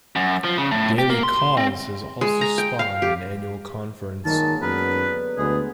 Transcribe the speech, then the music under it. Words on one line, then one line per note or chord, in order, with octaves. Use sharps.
Daily Kos has also spawned an annual conference.
F#2
F3
C#3
A2
G4
A#3
C6
C4
G#3
A#5
G5
F5
G4
A#2 D#3 F#3 G#3 A5
F#2 D3 B3 A#4 B4
D2 G#3 B3 G#4